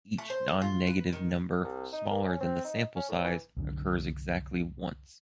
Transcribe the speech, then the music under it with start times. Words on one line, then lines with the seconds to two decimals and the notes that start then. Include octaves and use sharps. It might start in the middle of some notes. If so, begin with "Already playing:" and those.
Each nonnegative number smaller than the sample size occurs exactly once.
0.18 A3
0.30 C5
0.48 A4
0.62 F4
0.87 B4
1.13 D#3
1.63 C2
1.92 D#4
2.10 A#3
2.23 C#4
2.40 C4
2.64 D#4
2.96 C#4
3.09 A2
3.25 E3
3.57 C2 F#2 D3